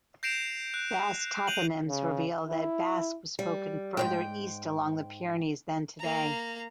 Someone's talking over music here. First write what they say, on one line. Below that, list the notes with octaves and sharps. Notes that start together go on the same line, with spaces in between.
Basque toponyms reveal that Basque was spoken further east along the Pyrenees than today.
G6 A#6 C7 D7 E7 F7
F#6
G6 D#7 F7 F#7
C#3
E4
G3
G#2 F#3 G5
A#3 A#5